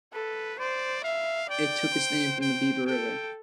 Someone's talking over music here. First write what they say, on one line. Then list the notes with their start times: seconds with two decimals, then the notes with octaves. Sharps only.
It took its name from the Beaver River.
0.13 A4 B4
0.59 C5 D5
1.04 E5 F5
1.49 D5 G5
1.95 C5
2.41 G5
2.86 A4 G5